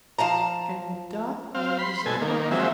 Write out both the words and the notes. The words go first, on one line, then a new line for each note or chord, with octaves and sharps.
And the Duck lays eggs.
F3 F5 A5 A#5
C4 F5
B5 C6
B2 A4 G#5
D#3 A#3
F3 F#3 G#3 C4 E5